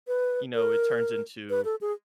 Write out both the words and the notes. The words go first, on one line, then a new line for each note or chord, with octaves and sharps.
you know, it turns into,
B4
A#4
B4
A4
G#4